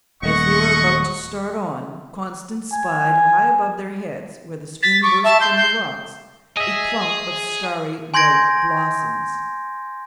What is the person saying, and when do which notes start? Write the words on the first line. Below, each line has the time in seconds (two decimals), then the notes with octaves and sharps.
As they were about to start on, Constance spied high above their heads, where the stream burst from the rocks, a clump of starry white blossoms.
0.23 D#1 A3 D#5 F#5 C#6
2.73 G#5
4.82 A6 B6
5.02 C#6 D6
5.24 E5 A5
5.40 C6 G6
5.56 G6 C7
6.57 G#4 D#5 E5
8.14 G#5 C6 G6 G#6 A#6 D7